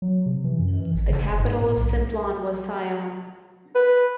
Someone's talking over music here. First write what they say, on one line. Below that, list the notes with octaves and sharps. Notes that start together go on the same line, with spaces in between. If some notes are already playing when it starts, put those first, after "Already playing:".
The capital of Simplon was Sion.
F#3
C3
E3
F#2
E3
G#1
C#3
F#1
G#2
A2
B1
B4